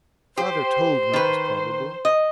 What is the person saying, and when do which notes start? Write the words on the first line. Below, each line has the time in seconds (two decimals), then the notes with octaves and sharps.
'Father told me it was probable.'
0.38 G4 C5
1.14 D#3 B4
2.05 D#5